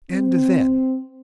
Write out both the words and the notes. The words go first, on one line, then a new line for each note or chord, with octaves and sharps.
"And then?"
C4